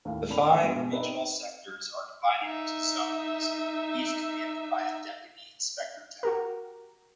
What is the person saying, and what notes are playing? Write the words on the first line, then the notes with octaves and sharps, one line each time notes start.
The five regional Sectors are divided into Zones, each commanded by a Deputy Inspector-General.
D#2 A2 F5
A2 C4 D4 B5 F7
G2 F3 G#3 B3
B2 G#4
C4 D#4 G4 B4 D5 E5
D#4 E5
F#4 G4 A#4